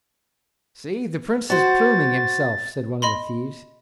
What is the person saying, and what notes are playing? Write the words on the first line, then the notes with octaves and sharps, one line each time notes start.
"See, the prince is pluming himself," said one of the thieves.
F#4 C5 A6
D#5 B5 C6